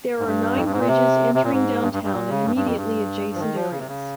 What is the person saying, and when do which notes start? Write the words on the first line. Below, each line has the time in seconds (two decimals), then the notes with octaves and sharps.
There are nine bridges entering downtown and immediately adjacent areas.
0.19 G#2
0.25 G2
0.56 F2
0.64 G2
0.72 G#2
0.80 A#2
0.87 C3
1.35 C3
1.44 A#2
1.51 G#2
1.82 G2
1.93 G2
2.03 G2
2.13 A#2
2.30 C#3
2.45 G2
2.56 G2
2.66 F2
2.77 G2
3.34 F3
3.40 D#3
3.55 F3
3.71 C#3
3.79 C3
3.88 C#3